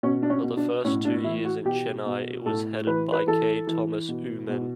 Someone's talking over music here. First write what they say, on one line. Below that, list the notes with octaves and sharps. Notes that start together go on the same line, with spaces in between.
For the first two years in Chennai it was headed by K Thomas Oommen.
B2 C#4
D4
C#4
B2
D4
A2 C#4
D4
E3 E4
F#4
B2 G4
B2
A2 A4
E3 B4
B4
E3 A4
E3
B2
B2